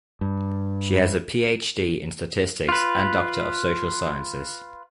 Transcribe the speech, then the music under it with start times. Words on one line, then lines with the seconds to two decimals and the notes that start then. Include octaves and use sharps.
She has a Ph.D in Statistics and Doctor of Social Sciences.
0.21 G2
2.69 F4 B4